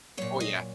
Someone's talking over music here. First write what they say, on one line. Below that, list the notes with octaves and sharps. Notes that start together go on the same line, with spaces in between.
Oh, yeah.
A#2 F#3 C#5
D#5